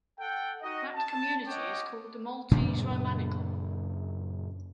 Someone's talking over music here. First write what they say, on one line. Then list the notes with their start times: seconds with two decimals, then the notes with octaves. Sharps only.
That community is called the Maltese Romanichal.
0.19 A4 F#5 G5
0.62 D#4 F#4 D#5
0.95 A5
1.47 C#5 D#5 F#5 G5 D6
2.51 F#2 A#2 C#3 D4